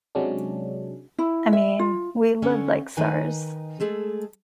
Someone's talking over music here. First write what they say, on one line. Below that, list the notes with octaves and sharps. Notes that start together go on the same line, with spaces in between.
I mean, we live like czars.
C3 F#3 G#3 C#4 D4
E4
E5
F4
D3 C#4 C#5 F#5
D#3 D#4 B4 G#5
G#3 A3 G#4 A4